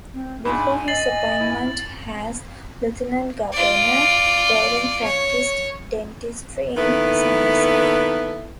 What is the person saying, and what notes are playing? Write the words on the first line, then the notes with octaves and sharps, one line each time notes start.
Before his appointment as Lieutenant-Governor, Doiron practiced dentistry in Summerside.
C4
G#2 D4 F4 G#5 B5
D#5 A6 C7 F#7
E4
F4 D5
C#5
D#3 A#3 B3 E4 A4 B4